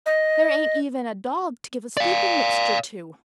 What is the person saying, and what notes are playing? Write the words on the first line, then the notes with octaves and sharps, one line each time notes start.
There ain't even a dog to give a sleeping-mixture to.
D#5
D5 F5